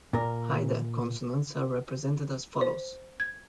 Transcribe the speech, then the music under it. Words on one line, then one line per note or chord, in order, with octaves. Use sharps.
Haida consonants are represented as follows.
A#2 A#4
C5
G#6